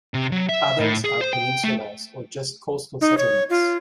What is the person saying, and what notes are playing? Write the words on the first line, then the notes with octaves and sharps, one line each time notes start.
Others are peninsulas or just coastal settlements.
C3
F#3
E5
A2
G#4
C5
G5
A3
D#4
C#5
F4